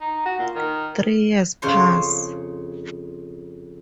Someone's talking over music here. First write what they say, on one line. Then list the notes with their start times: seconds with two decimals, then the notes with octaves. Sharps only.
Three years pass.
0.01 D#4
0.25 F#4
0.39 A#2
0.55 D#3
1.62 F2 C#3 C5 C#5 C6